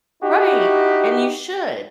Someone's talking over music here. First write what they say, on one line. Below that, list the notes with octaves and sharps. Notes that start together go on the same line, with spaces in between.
Right, and you should.
D#4 E4 F#4 G4